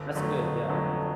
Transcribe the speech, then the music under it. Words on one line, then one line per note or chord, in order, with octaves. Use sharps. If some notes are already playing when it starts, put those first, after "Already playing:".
That's good, yeah.
Already playing: G1
F2 D3 F#3 A3
G1
F2 D3 F#3 A3